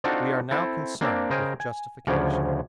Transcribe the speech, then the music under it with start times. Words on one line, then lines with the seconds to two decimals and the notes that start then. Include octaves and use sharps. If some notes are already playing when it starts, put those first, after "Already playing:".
We are now concerned with justification.
0.04 C4 D4 D#4 F4 F#4 A4
0.51 C4 E4 A4
1.01 A#3 C4 D4
1.30 C#3 A#4 C5 D#5 G5 G#5
1.60 G#5
2.07 D2 C#3 F3 C#5 D5